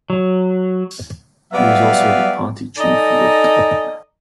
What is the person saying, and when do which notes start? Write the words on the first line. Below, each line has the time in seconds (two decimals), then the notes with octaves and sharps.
He was also the party Chief Whip.
0.10 F#3
1.53 F#3 G3 B3 D5 E5 F5
2.78 D#4 A4 D5 D#5 G#5 A#5